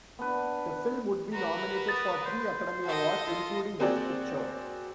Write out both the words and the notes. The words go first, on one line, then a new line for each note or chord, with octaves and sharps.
The film would be nominated for three Academy Awards, including Best Picture.
B3 D4 B4
F#4 A#4 B4 A#5
D#6 A6
C5
F#4 A4 D#5
F4
A#3 C4 F#4 G#4 C5 D5